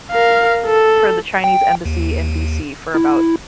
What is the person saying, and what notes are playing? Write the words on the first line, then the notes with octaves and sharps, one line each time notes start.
for the Chinese embassy in DC for about
A#4 F5
A4
G5
D#2
E4